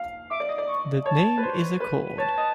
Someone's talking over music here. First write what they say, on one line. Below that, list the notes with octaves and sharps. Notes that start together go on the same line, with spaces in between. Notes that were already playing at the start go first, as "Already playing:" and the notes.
The name is a cord.
Already playing: F5
E5 D6
D5
D#5
D5
C#6
C#5 A5
B4
C5
B4
C#5 A5
D#5